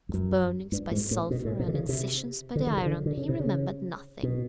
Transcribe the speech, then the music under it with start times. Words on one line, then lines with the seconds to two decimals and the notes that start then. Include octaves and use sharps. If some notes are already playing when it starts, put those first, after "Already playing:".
Of burnings by sulphur and incisions by the iron he remembered nothing.
0.09 F2
0.14 F#2
0.72 G2
0.91 G#2
1.11 A2
1.31 B2
1.45 A2
1.60 B2
1.68 D3
1.74 C#3
1.89 C3
2.56 D3
2.67 D#3
2.77 C#3
2.86 D3
3.06 D3
3.17 C#3
3.29 C3
3.40 C#3
4.23 B2